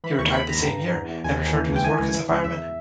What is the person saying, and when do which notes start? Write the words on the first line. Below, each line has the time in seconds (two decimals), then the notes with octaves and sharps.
He retired the same year and returned to his work as a fireman.
0.04 E3 B5
0.19 D#2 C#6
0.34 D#2 B5
0.49 D#2 A#5
0.63 G2
0.79 G2
0.94 E2
1.08 E2
1.24 D#2 G#5
1.39 D#2
1.54 E3
1.69 C#2
1.76 G5
1.84 E3 G#5
1.99 C#2
2.14 E3
2.30 C#2
2.44 E2 E5